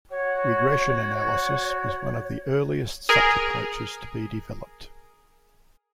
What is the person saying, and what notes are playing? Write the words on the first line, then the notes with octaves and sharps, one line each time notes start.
Regression analysis was one of the earliest such approaches to be developed.
F#4 C#5
G#4 A#4